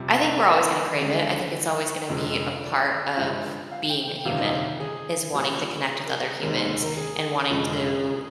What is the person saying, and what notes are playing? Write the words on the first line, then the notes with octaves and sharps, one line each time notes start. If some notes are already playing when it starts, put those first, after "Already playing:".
I think we're always gonna crave it, I think it's always gonna be a part of being a human, is wanting to connect with other humans and wanting to
Already playing: F2 C3 G3
G#4
A#4
D2 D3 G#3
F1 F2 D3 G#3
D5
G1 G2 F3 G#3
F5
G5
G5
G1 F2 C3 D#3 F5
D#5
F5
G#4
A#1 A#2 G3
G#4
A#4
G#4
F1 D#2 D#3 G#3 A#4
C5
A#4
G#4
F1 F2 D3 G#3
G#4